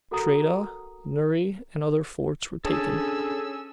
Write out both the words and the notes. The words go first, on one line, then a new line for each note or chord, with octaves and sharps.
Tredah, Neury, and other forts, were taken.
F#4 A4 A#4 F#5 A#5 D#6
C#4 D4 G#4 A4 C#5 A5 D#6 E6